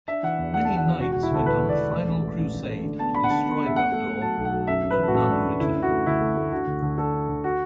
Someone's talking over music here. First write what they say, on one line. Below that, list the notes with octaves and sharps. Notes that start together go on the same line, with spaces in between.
Many knights went on a final crusade to destroy Beldor but none returned.
D4 E5
E3 F#5
E2
D4 F#5
A5
E2
F#5
E3
E1 F#4
E1 F#4
E4
D2 A4
E1 B4
E1
D5
E1
A3
A1
A3
A1
A1
A3
D3
B3 A5
D4 B5
F#5
D3 A5
B3
B3 E5
A3 F#5
A3
A3
F#3 A5
B1
F#5
F#3
F#2 E5
F#2
B4
E3 A4
F#4
F#2 A4
D4
F#2
D2 E4
D3
F#4
A3
D2 E4
A3
A3
D3 F#4
D2
D2
D4 A4
D4
D2
F#4